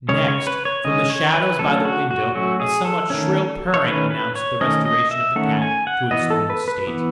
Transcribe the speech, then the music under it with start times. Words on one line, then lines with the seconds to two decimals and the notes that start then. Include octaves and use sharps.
Next, from the shadows by the window, a somewhat shrill purring announced the restoration of the cat to its normal state.
0.09 C#3 G#3 C#4 C#5
0.28 C#5
0.47 B4
0.65 C#5
0.85 C#3 G#3 C#4 D#5
1.10 C#5
1.35 B4
1.59 F#3 A3 C#4 A4
1.85 F#4
2.11 F#4
2.35 F#3 A3 C#4 F#4
2.60 G#4
2.85 A4
3.10 D#3 A3 C#4
3.74 C#5
3.85 D#3 A3 C#4 B4
4.11 B4
4.35 C#5
4.61 D#3 A3 C#4 D#5
4.85 D#5
5.11 E5
5.36 D#3 A3 C#4 F#5
5.62 G#5
5.87 F#5
6.11 E3 B3 D#5
6.30 A4
6.50 B4
6.68 B4
6.87 E3 B3